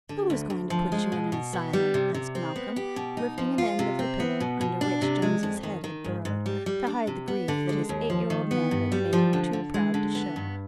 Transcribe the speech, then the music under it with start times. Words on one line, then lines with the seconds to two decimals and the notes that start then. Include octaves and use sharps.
"Who is going to put you in an asylum?" asked Malcolm, lifting an end of the pillow under which Jonesy's head had burrowed, to hide the grief that his eight-year-old manhood made him too proud to show.
0.09 D3
0.30 D2
0.50 D2
0.70 F3
0.92 G#3
1.12 B2
1.32 B2
1.53 B3
1.73 G3
1.94 C3
2.14 C3
2.35 C4
2.56 B3
2.76 G4
2.96 B2
3.17 D#4
3.38 F3
3.58 F4
3.79 C3
3.99 C4
4.20 B3
4.40 B2
4.61 B2
4.81 D4
5.02 C3
5.22 G#3
5.43 F2
5.63 D#3
5.84 D#3
6.04 G#2
6.25 G#2
6.46 G3
6.66 G3
6.87 D4
7.07 C3
7.28 B3
7.48 D3
7.69 G#3
7.89 D#2
8.10 F3
8.30 D#3
8.51 B3
8.71 G2
8.92 G3
9.13 F3
9.33 D3
9.53 D3
9.74 G#3
9.94 D3
10.15 B3
10.36 G2